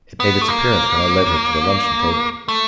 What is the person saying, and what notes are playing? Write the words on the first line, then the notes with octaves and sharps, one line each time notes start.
It made its appearance when I led her to the luncheon table.
B3
A3
A#3
A3